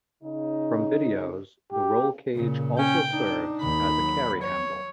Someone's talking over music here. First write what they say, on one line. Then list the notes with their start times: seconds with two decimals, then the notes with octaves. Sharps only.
From videos, the roll-cage also serves as a carry handle.
0.23 C#3 D#4
1.72 G4
2.33 A#2 C#3
2.79 C#4 G5
3.13 D4 D#4
3.61 D#2 B5
3.99 F#3
4.42 C#5